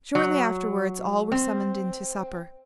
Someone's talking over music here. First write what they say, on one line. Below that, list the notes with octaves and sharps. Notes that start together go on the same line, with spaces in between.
Shortly afterwards all were summoned in to supper.
F#3
C4